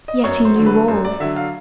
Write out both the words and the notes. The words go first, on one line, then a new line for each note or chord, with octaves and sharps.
Yet he knew all.
D#5
F#2 C#5
C5
D3 F#3
B4
F#2 C5
D5
D3 F#3 E5
F5